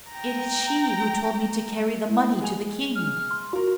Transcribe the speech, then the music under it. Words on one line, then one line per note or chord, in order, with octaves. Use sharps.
"It is she who told me to carry the money to the king."
G5 A#5
E4
G#3 G#5 F7
F6
C6
F4 F#4 A#4